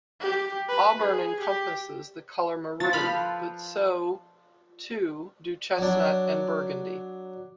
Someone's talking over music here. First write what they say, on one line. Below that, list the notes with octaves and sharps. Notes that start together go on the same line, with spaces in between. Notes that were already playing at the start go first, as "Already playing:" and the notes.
Auburn encompasses the color maroon, but so too do chestnut and burgundy.
G4
B4
G#4
G4
F3 A6
F3 A4 B4 B5 F6
F#3 D4